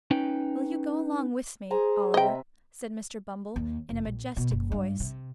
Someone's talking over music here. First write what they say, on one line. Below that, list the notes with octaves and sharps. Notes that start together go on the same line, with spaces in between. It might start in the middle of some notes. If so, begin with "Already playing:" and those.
'Will you go along with me, Oliver?' said Mr. Bumble, in a majestic voice.
C#4 D#4 B4 G5
G#4 C5 G#5 A#5
C3 B4 D#5 E5 G5
D#2
F1
A#1
B2
F#1
G2
C3